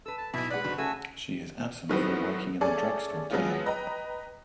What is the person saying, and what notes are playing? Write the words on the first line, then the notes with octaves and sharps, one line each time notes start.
She is absent from working in the drug store today.
A4 B4 E6
A5
B1 B2 E4 E5
B2 G#3 B4 D5 F#5 B5
F#1 A2 D3 F#4
C#3 A3 F#4 G#5 E6
A2 D#3 F#3 G3 B3 C4
A3 C#4 G#4 A4 D5
F3 F#3 G#3 B3 C#4 F4
B4 D#5 G5 A#5